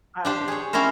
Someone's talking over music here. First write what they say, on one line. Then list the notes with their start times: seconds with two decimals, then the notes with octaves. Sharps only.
Oh, okay.
0.25 D4 G4 C5
0.48 G#4 C#5
0.73 C4 C#4 E4 G4 A#4 C5